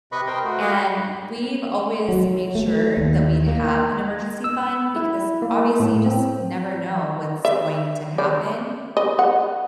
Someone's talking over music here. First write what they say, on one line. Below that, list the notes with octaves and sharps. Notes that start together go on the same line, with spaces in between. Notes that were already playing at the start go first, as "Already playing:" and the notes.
and we've always made sure that we'd have an emergency fund because, obviously, you just never know what's going to happen.
C3 B4 D#5 B5 C#6
A#4 C5 D#5 G5
A3 F#4
F#4 G4 D#5 F5 F#5
F#3
A3
D#2
A#3
E6
E4
A#3
A2
C4
E5
D5
D#5
F#5